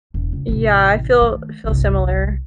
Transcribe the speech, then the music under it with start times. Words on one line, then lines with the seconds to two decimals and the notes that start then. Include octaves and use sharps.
Yeah. I feel I feel similar.
0.14 E1
0.33 C#2
0.48 A1 C3
1.21 D#3 A3
1.64 G1 C2